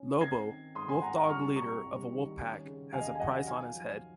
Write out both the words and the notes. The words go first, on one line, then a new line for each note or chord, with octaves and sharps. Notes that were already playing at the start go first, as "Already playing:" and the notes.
Lobo, wolfdog leader of a wolf pack, has a price on his head.
Already playing: C#4
C4 G#6 C7
D#3
G#2 C6 D#6
G#5 C6
G#3 F#5 A#5
F#5 A#5
C2 C#6 F6
C3 A#5 C#6
C2
D#3
C#4
C#3
D#2 F5 G#5
D#5
F5
G#5
F#3 D#5 F#5
D#4 F5 G#5
F3